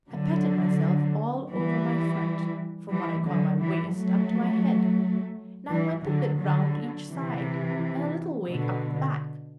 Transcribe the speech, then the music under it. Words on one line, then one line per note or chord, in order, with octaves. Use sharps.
I patted myself all over my front, from what I call my waist up to my head, and I went a bit round each side, and a little way up the back.
D3 F#3
E3 G3
E3 G3
D3 F#3
E3 G3
F#3 A3
E3 G3
D3 F#3
D3 F#3
C3 E3
B2 D3